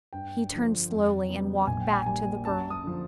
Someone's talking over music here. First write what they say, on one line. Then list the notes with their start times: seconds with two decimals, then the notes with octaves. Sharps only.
He turned slowly and walked back to the girl.
0.13 G2 G5
0.52 D3 F3
0.90 F2
1.29 C#3 F#3 B3
1.67 A#1 G#5
1.80 G5
1.93 G#5
2.06 A#2 G3 G#5
2.45 F#2 A5
2.70 D#6
2.83 D3 F3